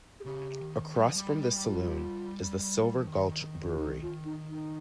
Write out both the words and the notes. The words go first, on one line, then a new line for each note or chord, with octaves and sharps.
Across from this saloon is the Silver Gulch Brewery.
G#4
C#3 G4
D#3
G3
F3
G3
G3 F4
G3
F3
D#3
D#3
F4
D#3 D#4
F4
D#4
D#4